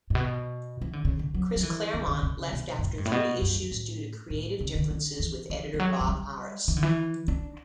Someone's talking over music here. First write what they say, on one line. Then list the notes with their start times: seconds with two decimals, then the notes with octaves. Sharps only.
Chris Claremont, left after three issues due to creative differences with editor Bob Harras.
0.10 A2
0.15 B2
0.82 E3
0.93 D3
1.05 C#3
1.19 D3
1.34 F#3
1.56 F#3
1.63 E3
1.94 D3
2.08 D3
2.23 C#3
2.53 B2
2.79 B2
2.83 A2
2.98 G2
3.05 A2
3.12 B2
3.42 G2
3.56 F#2
3.72 A2
4.30 A2
4.61 C#3
4.75 D3
4.91 D3
5.20 E3
5.50 E3
5.74 E3
5.80 F#3
6.01 F#3
6.09 G3
6.68 E3
6.77 D3
6.83 E3
7.28 D4